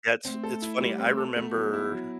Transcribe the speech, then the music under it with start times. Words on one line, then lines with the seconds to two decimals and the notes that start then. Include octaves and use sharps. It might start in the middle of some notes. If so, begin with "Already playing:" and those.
That's it's funny, I remember
0.25 A3 C4
0.43 A4
0.62 E4
0.81 G3
0.99 C4
1.17 A4
1.36 A3 B3
1.55 F#3
1.73 E4
1.92 F#3